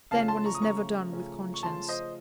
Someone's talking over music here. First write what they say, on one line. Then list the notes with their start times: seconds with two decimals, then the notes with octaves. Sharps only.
Then, one is never done with conscience.
0.11 C#3 F3 A3 C#4 F5 A5
0.28 A5 C6
0.45 A#5 C#6
0.54 D#6
0.62 C#3 F3 A3 C#4 A#5 C#6
1.12 C#3 F3 A3 C#4
1.54 C#6
1.63 C#3 F3 A3 C#4 A5 C6
1.88 C5 D#5